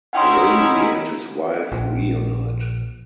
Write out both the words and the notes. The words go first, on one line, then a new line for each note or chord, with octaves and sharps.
Ravi and his wife reunite.
C#4 D#4 E4 F#5 G5 C6
A#1